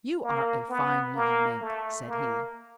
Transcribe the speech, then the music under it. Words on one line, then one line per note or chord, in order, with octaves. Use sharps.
"You are a fine young Mink," said he.
A#3
B3
A#3
A3
A#3